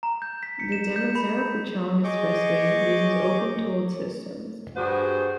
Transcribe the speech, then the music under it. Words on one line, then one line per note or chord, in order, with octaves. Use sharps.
The Damansara-Puchong Expressway uses opened toll systems.
A#5
G6
B6
C#7
E7
G6
B5
G#4 D#5 C#6 D6 G6
G2 F#4 G#4 C5 F#5